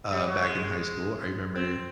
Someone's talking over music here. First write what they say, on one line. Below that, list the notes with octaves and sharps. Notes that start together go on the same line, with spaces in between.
uh, back in high school, I remember,
G3
F#3
G#3
C4